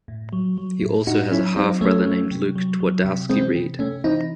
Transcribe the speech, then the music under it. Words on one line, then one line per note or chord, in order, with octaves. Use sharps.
He also has a half brother named Luke Twardowski-reid.
A2
F#3
F#3
A2
A2 D#4 F#4
F#3 C#4 E4
F#3 C4 D#4
F#3 A3 C#4
F#3
C3
F#3
F#3
C3
E3 G#3 C4
C3
C3 A3 C#4
E3 C4 D#4